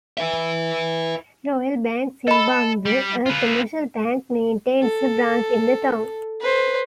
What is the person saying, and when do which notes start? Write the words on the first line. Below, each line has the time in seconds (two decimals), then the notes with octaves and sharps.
Royal Bank Zimbabwe, a commercial bank, maintains a branch in the town.
0.18 B4 E5
2.28 A4 D#5 B5
2.86 G3
3.26 F4 B4
4.82 A4
6.41 B4 C5